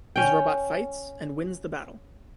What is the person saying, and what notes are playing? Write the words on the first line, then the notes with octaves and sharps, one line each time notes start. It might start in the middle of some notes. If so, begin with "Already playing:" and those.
His robot fights and wins the battle.
C#4 G5